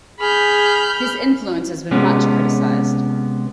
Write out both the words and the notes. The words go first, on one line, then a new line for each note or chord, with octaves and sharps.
His influence has been much criticized.
G#4 B5 F6 G6
C3 G#3 B3 C#4